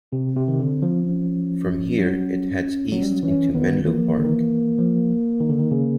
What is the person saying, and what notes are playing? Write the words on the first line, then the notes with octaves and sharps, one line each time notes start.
From here, it heads east into Menlo Park.
C3 C4
C3
D#3
D3
F3
C#4
F#3
F#3 C#4
G3
F#3
E3 C#4
D#3 B3
E3 A#3
F3
E3
D3
D#3
E3
F3
D#3
D3
D#3
C#3